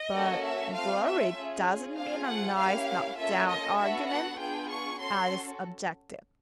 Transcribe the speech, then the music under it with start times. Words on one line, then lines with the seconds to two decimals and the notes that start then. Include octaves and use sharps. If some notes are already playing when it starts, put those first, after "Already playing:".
'But "glory" doesn't mean "a nice knock-down argument,"' Alice objected.
Already playing: D#5
0.13 A#3 C#4 F#4 A4
0.43 E5
0.73 A3 C4 F4 F5
1.04 E5
1.35 C#4 F4 G#4
1.95 A3 C4 F4 G#4 F5
2.25 F#5
2.56 A#3 C#4 E4 G4 F5
3.16 A#3 C#4 F4 A4 E5
3.47 D#5
3.77 B3 D4 F#4 A4 E5
4.08 F#5
4.38 B3 D4 F4 G#4 G5
4.69 C#6
4.99 C#4 F#4 A4 C6